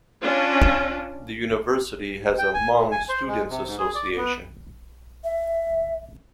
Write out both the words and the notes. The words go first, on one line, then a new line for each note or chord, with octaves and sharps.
The university has a Hmong Students Association.
C#4 D4 F4
G5
G#5
A#2
G#5
C5
G#3
C3
G#2
G#4
D5
B3
E5